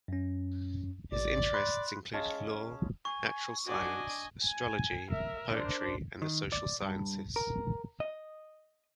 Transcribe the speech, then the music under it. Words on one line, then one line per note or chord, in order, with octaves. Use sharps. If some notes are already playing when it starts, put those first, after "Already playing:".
His interests included law, natural science, astrology, poetry and the social sciences.
F#2 C#4
A1 D5
B5 C6 F#6
G#3 C#4 F5 A5
G#5 C#6
D4 F#4 D5 D#5 G#5
G#5
A#4 E5
D4 C5
D#3
D5
G2
A#4
D#5